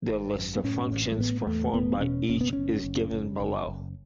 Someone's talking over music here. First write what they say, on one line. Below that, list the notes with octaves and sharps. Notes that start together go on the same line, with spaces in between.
The list of functions performed by each is given below.
G#1
F#2
B3
A2 C#4
A1
B3
A3
A2 B3
B3
E2 A3
E1 B3
B2 C#4
F#1 C#4
B3
F#1 C#4
F#1
F#1
F#1
F#1